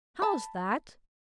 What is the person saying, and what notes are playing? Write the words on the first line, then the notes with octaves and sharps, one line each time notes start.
"How's that?"
A5 B5